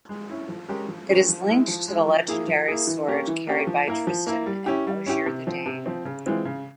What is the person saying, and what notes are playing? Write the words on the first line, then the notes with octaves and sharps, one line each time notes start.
It is linked to the legendary sword carried by Tristan and Ogier the Dane.
G#3
C#4 E4
F3
G#3 C#4 G4 A#4
F3
G#3 C#4 G4 A#4
F3
G#3 E4
F3
G#3
E4
F3
A#3 E4 G#4
F3
A#3 E4 G#4
E3
A#3 C#4 G4
E3
A#3 C#4 G4
F3
A#3 E4 A#4
F3
A#3 E4 A#4
G3
C#4 E4 G4
G3
C#4 E4 G4
C3
F3 C4
C3
F3 C4
C#3
E3 G#3 C4 F4
C#3